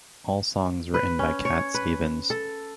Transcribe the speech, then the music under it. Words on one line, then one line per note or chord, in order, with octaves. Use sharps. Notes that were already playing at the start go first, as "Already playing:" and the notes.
All songs written by Cat Stevens.
B4
C#4
C#5
B4
A4